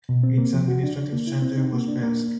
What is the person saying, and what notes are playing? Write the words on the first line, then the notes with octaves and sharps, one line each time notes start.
Its administrative centre was Velsk.
B2
C4
A#3
F3
F#4
D4
D4
A#3
E4
C4
D#4
A#3
D4
A#3